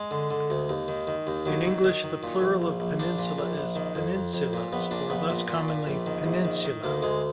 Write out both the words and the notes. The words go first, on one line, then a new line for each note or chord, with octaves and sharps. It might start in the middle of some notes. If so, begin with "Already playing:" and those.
In English, the plural of peninsula is "peninsulas" or, less commonly, "peninsulae".
Already playing: G#3
D3
D3
D2
D#2
D#3
D#3
D#2
D#3 F#3
D#3
D#3
D#3
A#2
A#1
A#1
A#1
A#1 D4
A#2
A#1
A#1
D#3
F2
F2
F2
A#2
A#1 B3
A#2 D4
A#1 B3
A#2
A#2
A#2
A#1
D#3
A#1
D#3
D#3
D2 A#3
D2 G#3